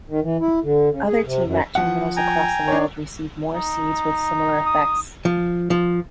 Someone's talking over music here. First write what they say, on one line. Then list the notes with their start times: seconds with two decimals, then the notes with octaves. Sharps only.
Other T-Mat terminals across the world receive more seeds with similar effects.
0.08 D#3
0.23 E3
0.40 E4
0.63 D3
0.90 C#3
1.07 G#4
1.24 C3
1.44 F#2
1.75 F3 F#5
2.17 G5 G#5 A#5
2.68 D4 C#5
3.55 D#4
4.66 D#6
5.25 F3
5.70 F3